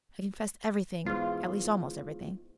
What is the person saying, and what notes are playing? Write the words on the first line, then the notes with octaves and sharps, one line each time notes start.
I confessed everything--at least, almost everything.
E2 G#2 F4